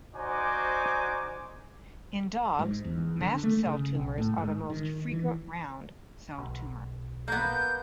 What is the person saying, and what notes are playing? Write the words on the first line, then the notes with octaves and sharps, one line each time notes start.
In dogs, mast cell tumors are the most frequent round cell tumor.
D#4 F#4 C5 D5 G#5 D6
G#2
E2
D3
A3
C#3
B1
A2
G#2
D#3
E3
B1
A#3 B3 G6